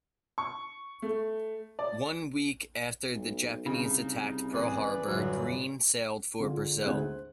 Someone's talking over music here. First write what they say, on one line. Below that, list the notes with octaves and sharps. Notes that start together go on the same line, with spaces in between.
One week after the Japanese attacked Pearl Harbor, "Greene" sailed for Brazil.
C#6
A3
D5
B1
C2 C#3 D#4
A1 G#4 B4 D5 D#6
G1 F#2 A2 F#3
D3 F4 G#4
D2 G#2 G#4 C5 F#6
C5